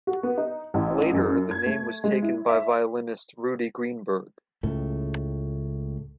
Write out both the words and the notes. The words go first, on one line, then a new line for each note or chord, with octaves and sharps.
Later, the name was taken by violinist Rudy Greenberg.
F#4
B3
D#4
A1
F#2
G#6
A3
G#3
E4
E5
C#2 A2 A3